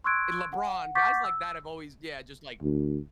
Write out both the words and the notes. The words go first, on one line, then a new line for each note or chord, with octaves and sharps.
LeBron, guys like that have always yeah, just like,
C6 C#6 E6 F#6 G#6 D7
F#5
F#5 C#6 D6 G6 A6 B6
E6
D2